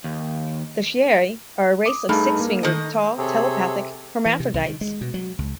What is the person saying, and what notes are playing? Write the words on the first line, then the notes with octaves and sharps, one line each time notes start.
The "Chieri" are a race of six-fingered, tall, telepathic hermaphrodites.
D#2
D6 D#6
G2 A3 D#4 G#4
A#3
D#3 A4 D#5
C3 G#4 A4 C#5
E3
C3
C2
D#3
G#3
B2
F#3
C#2